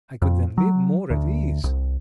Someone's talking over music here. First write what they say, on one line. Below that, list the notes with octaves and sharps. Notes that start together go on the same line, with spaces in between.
I could then live more at ease.
F2
F#3
D2
C2